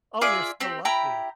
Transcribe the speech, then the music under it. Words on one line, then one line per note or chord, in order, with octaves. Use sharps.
Oh, you're so lucky.
F4 G#4 D5 E5
C4 G4
E4 G4 A#5 B5